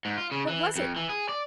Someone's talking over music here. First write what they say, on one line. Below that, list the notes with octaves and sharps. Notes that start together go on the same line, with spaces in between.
What was it?
G#2
F4
C#3
E3
F2
E3
G#4
D5